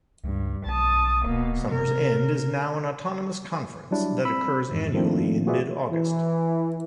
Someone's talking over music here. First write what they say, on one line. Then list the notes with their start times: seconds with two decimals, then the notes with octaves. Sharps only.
Summer's End is now an autonomous conference that occurs annually in mid-August.
0.24 C#2 G2
0.66 B1 A5 D#6
1.25 D1 B2 A#3
1.71 C3 A#4
3.91 F#3 G3 D4 E4
4.25 C4 B5 E6
4.71 F2 G#2 E3
4.94 D#3 F3 A3 A#3 C4 D4
5.47 F4 F#4 G#4 B4 D5 E5
5.90 E3